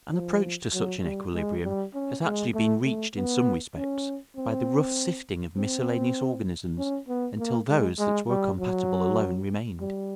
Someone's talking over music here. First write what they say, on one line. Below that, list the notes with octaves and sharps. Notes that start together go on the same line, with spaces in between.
An approach to such an equilibrium has actually been reached in some respects by the rough sifting of miscellaneous organisms until those that were compatible alone remained.
F3
F#3
G3
G#3
G3
C#4
G#3
A3
A3
B3
C#4
C4
C4
C#4
B3
A#3
G#3
G#3
G3
F#3
G3